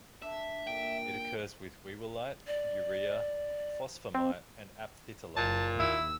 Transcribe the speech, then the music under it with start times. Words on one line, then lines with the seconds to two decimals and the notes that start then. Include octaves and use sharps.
It occurs with whewellite, urea, phosphammite and aphthitalite.
0.22 D4 E5
0.67 A#2 G5
2.47 D5
4.15 C4
5.36 F#1 A#2 A5
5.79 D#2 E4 E6